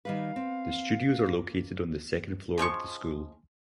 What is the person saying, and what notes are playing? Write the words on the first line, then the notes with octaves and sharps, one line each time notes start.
The studios are located on the second floor of the school.
D#3 G3 B4 F5
C4
A#3
C#3 F3 G#3 C#6